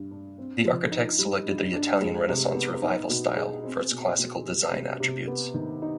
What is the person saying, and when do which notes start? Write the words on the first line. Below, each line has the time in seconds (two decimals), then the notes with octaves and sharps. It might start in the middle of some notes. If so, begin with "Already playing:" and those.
The architects selected the Italian Renaissance Revival style for its classical design attributes.
Already playing: G2
0.11 D4
0.38 C4
0.66 F3
0.92 D#4
1.19 G3
1.46 G2
1.73 D4
2.01 G#3
2.29 C3
2.55 B3
2.83 D#4
3.10 B2
3.37 G#4
3.64 C4
3.91 B2
4.19 B2
4.45 G3
4.73 C3
5.00 C3
5.27 B3
5.54 D#3
5.82 D#4